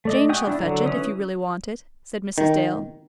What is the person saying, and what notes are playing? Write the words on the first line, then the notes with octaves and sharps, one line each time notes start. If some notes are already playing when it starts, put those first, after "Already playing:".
"Jane shall fetch it, if you really want it," said Mrs. Dale.
A3 D5 D#5
F#4 G5 G#5 D#6
D4 E4
D3 F#3
E3 C#4 D#6
D#3